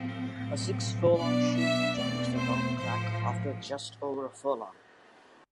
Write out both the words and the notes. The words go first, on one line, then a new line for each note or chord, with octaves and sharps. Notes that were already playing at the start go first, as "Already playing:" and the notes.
A six furlong chute joins the round track after just over a furlong.
Already playing: A2 F3 C4
B1 A2 F3 C4
B1 B2 B3 D4 D5
E5
E2 B2 A3 C4 D5
C5
A1 A2 F3 C5